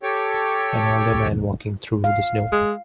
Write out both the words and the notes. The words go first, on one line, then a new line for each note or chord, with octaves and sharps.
An older man walking through the snow.
G4 A4 C#5 G5
F5
G#3